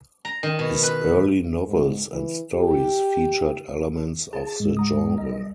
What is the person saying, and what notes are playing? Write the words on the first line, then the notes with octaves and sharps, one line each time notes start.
His early novels and stories featured elements of the genre.
A#5
D#3
B2
B4
G#2
E3
G4
G#4 A5
G#2 G#3
F#5 A#5 D#6
C2 G3 D#5